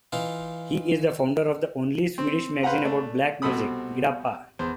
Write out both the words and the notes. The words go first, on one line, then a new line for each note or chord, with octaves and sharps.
He is the founder of the "Only Swedish Magazine about Black Music", "Gidappa".
E3 D#4 F4
C4
B4 C5 F5 F#5 A#5
A3 D4
C2 B2 C4 A4 B5 D#6
E2 C5